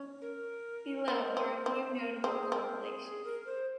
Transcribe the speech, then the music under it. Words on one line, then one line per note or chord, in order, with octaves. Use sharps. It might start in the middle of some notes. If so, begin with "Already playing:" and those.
Below are a few notable compilations.
Already playing: C#4
A#4
C4
C4
C4
C5
A#4
C4 G#4
C4 A#4
G#4
G#4
A#4
C5